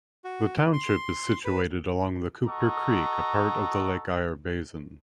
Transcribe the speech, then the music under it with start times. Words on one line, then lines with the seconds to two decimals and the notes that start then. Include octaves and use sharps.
The township is situated along the Cooper Creek, apart of the Lake Eyre Basin.
0.25 F#4
0.73 C6
1.45 B4
2.46 F#4 A4 D#5 A#5 C#6